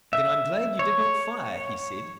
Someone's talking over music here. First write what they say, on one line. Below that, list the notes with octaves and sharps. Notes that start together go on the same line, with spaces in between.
"Then I'm glad you did not fire!" he said.
E5
C#5